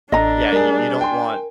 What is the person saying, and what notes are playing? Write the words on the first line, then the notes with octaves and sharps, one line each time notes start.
yeah, you you don't want
A1 D4 A4 D#5 A#5
G3 G#4 A#4
G5 G#5 C6